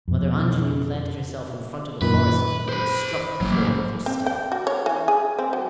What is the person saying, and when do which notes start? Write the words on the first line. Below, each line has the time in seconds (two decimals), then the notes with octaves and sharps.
Mother Angenoux planted herself in front of the forest-keeper and struck the floor with her stick.
0.08 F2 B2
2.02 F#2 A#2 D#3 B4
2.69 C5 B5
3.41 A1 F#3 A#3
4.06 C4
4.26 G5
4.52 F#4
4.67 C#5
4.86 E3
5.08 G#4
5.39 C4
5.53 F#3